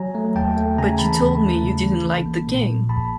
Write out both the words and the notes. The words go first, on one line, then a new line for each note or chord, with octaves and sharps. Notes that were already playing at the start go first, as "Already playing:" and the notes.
But you told me you didn't like the game.
Already playing: F#3 G#5 A#5
A3
D#2 G5 A5
A3
C#3 G#5 A#5
E3 A5 B5
D#2 A5 B5
A3
C#3
E3
A#1
A#3
A#2
F3
A#1 A5 B5